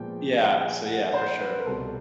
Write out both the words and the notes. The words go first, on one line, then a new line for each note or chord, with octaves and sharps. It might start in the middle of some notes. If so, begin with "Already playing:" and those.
Yeah, so, yeah, for sure.
Already playing: A#2 F3 G#3 B3 G5
G#5
F#5
C5
B4
A#4
C2 B2 G3 A4